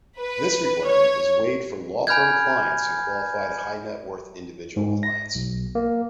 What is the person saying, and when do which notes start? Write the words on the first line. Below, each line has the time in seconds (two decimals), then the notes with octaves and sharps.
This requirement is waived for law firm clients and qualified high-net-worth individual clients.
0.18 B4
0.86 C#5
2.07 G#5 B5 F6 G6 G#6
4.76 G#2
5.03 A#6
5.35 B1
5.75 A#3